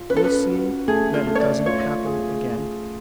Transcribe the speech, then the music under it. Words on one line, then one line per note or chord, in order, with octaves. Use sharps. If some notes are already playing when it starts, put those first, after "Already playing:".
"We'll see that it doesn't happen again."
Already playing: F4
C#4 B4
A4
B4
F#4
A3 G#4
F4
A3
C#5
D5
F4 C#5
G#4